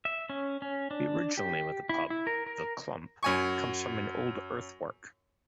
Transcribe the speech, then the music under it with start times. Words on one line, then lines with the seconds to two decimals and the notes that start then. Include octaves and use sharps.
The original name of the pub, 'The Clump' comes from an old earthwork.
0.05 E5
0.30 C#4
0.62 C#4
0.91 D4
1.37 G4
1.89 E4
2.10 E4
2.27 A#4
2.46 A#4
3.23 F#2 G#5 C#6